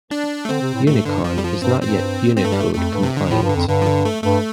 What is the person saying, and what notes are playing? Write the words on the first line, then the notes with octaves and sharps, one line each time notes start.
Unicon is not yet Unicode-compliant.
D4
A3
D3 C4
C3
A2
A2 A3
G2 D3
F2 F3
G3
F3
G2 C4
G2 C4
G2 C4
A3
G3
A3
F2 A3
G2
C3
D3
A2 F3
G2
D3
F2
G2 D3
F3
D3
A3
G2 A3